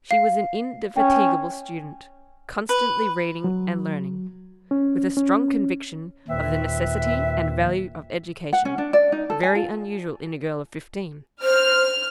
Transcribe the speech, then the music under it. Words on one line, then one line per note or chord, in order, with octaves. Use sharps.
She was an indefatigable student: constantly reading and learning; with a strong conviction of the necessity and value of education, very unusual in a girl of fifteen.
F5
C#4 G5
B4
F#3
C#4
C#4
D#2 A#2 C4 B4 E5
F#5
C#4
D4
D5
D#4
A4
G#5
F4
C5 F6